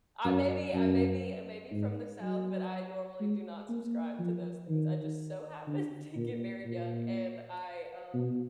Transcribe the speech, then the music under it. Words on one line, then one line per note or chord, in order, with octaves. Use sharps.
I may be I may be I may be from the South, but I normally do not subscribe to those things, I just so happened to get married young and I, um
F#2
F#2
G#2
F#3
G#3
A#3
F3
D#3
D3
A#2
A#2
B2